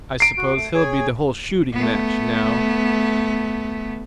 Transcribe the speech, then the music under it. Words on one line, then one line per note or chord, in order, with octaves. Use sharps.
"I suppose he'll be the whole shooting match, now."
A#5 C7 D7
F#4
A3
G#4 C#5 G#5
A3 B3